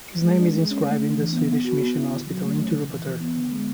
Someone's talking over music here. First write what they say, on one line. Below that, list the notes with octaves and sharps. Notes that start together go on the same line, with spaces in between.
His name is inscribed in the Swedish Mission Hospital in Tirupattur.
G#3
D4
G#3
C#4
A3
D4
E3
B3
B3
F#4
B3
E4
D3
F#3
A3
C#4
C#3
E3
E3
B3
D3
G#3